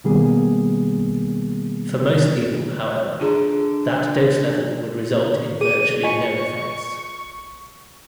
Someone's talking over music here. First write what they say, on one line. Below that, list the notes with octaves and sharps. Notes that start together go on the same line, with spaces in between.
For most people, however, that dose level would result in virtually no effects.
B2 D#3 G3 A#3 B3 G#4
D3 F4 G#4 A#5
G#4 D#7
F4 D#5 G#5 C#6